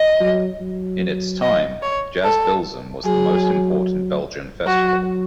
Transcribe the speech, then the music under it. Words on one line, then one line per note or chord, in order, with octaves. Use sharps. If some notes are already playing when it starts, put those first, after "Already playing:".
In its time Jazz Bilzen was the most important Belgian festival.
Already playing: D#5
F#3
F#3
D#5
C#5
A4
F#3 G#4
F#3 F#4